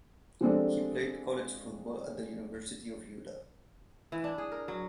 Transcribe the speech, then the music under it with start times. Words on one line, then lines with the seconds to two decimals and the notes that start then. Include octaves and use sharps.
He played college football at the University of Utah.
0.41 F3 G3 G#3 C4 D4 A4
4.12 E3
4.24 D4
4.38 G#4
4.52 A#4
4.68 F#3